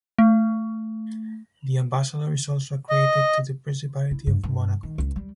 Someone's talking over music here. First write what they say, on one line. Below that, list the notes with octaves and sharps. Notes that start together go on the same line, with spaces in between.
The ambassador is also accredited to the Principality of Monaco.
A3
D#5
E4
G2
G2
D#3
C#2
G3